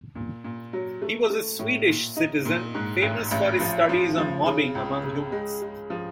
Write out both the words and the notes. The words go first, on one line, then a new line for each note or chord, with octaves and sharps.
He was a Swedish citizen, famous for his studies on mobbing among humans.
A#2
A#2
F#3
A3
A3
A2
A#2
D#4
A#2
G#2
A1
A1
F3
F3
F3
C#3
C#2
C#3
G#3
G#3
F3